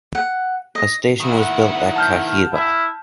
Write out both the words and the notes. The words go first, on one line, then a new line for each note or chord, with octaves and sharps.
A station was built at Kahibah.
F#5
D#5
D#3 E4 F#5
A5 F6 G6
E4